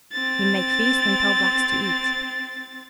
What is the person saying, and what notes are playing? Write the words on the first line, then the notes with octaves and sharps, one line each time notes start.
He make feast and tell Blacks to eat.
C4 A6